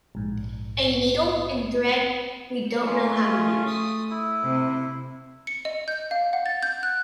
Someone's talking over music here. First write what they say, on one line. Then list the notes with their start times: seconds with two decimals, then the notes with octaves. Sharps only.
A needle and thread we don't know how to use.
0.15 A#1 G#2
2.86 A3 C#4 F4
3.67 D#6
4.11 E4
4.43 C3
5.47 C#7
5.65 D#5
5.88 G6
6.11 F5
6.33 F#5
6.46 A6
6.63 G6
6.83 F#6